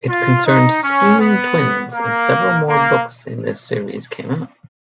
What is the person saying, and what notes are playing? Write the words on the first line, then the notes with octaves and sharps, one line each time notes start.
It concerned scheming twins and several more books in this series came out.
F4
D#4
C#4
B3
A#3
A#3